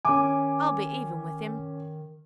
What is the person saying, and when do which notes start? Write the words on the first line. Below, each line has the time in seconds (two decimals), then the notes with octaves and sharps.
I'll be even with him.
0.05 D#3 C#4 G#5 D6